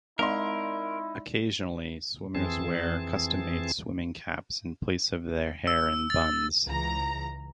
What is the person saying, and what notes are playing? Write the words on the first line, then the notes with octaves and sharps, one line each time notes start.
Occasionally, swimmers wear custom-made swimming caps in place of their hair in buns.
G#3 D#4 E4 A#4 D5 C6
F2 E3 C4 G#4 A5
E6
A6
C#2 E3 A#5